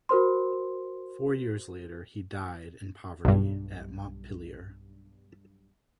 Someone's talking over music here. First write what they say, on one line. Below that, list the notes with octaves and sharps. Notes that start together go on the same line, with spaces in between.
Four years later he died in poverty at Montpellier.
F#4 A#4 C5 C6
B1 G2